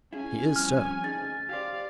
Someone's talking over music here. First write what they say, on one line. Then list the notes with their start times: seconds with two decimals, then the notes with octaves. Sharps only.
"He is so."
0.13 C#4 E4 G#4 G#5
0.56 G2 F3 C4 F6
1.04 D2 D#4 G#4 A6
1.49 G4 C5 D5 F5